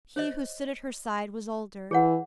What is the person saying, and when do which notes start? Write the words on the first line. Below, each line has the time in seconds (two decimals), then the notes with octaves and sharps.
He who stood at her side was older.
0.16 C5 C#5 D#5
1.91 E3 G#4 C#5 F#5